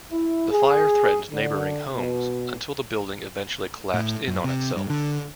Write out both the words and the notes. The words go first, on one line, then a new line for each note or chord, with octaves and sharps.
The fire threatened neighboring homes until the building eventually collapsed in on itself.
E4
G#4
D3
B2
A2
F#2
C3
G2
D3